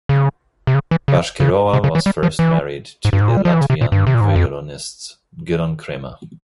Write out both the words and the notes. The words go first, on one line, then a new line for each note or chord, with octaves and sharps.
Bashkirova was first married to the Latvian violinist Gidon Kremer.
C#3
C3
C#3
E3
C#3
C#3
C3
C#3
E3
G3
F3
E3
G#2
G2
G#2
A#2
G3
F3
E3
C#3
C3
A#2
G2
C3
A#2
G#2
G2
F2